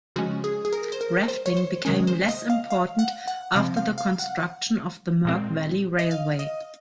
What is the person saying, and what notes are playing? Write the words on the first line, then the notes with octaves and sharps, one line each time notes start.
Rafting became less important after the construction of the Murg Valley Railway.
C#3 F3 G#3 C#4 F#4
G#4
G#4
A#4
C5
A#4
C5
C#5
C5
C3 D#3 G#3 C#4 A#4
C5
D#5
F5
F5
F#5
F#5
C3 F3 C4 F5
F5
F5
F#5
A#2 G#3 C4
D#5
F5
D#5